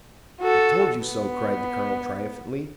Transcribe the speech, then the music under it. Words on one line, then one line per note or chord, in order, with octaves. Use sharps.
"I told you so," cried the colonel, triumphantly.
F#4 A4
B3